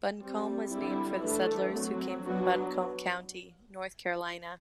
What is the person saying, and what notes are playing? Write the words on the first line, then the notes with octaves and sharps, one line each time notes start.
Buncombe was named for the settlers who came from Buncombe County, North Carolina.
G3 C4
D3 G3 C4 E4
E3 A3 D4
F#3 C4
F#3 B3 D4 F#4